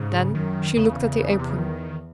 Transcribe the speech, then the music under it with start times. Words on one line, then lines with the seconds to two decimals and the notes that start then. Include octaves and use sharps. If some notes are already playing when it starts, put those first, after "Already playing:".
Then she looked at the apron.
Already playing: G#2 C#3
0.34 F#2 D#3
0.76 E2 C#3
1.39 C3
1.50 C#3
1.59 D#3